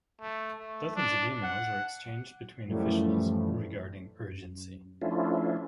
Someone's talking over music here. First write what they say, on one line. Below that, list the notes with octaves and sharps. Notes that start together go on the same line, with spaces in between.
Dozens of emails were exchanged between officials "regarding urgency".
A3
A3
D4
F#5
F#2 A2 E3 F3 G3 A3
F#2
F3 A3 C#4 D4 E4 F4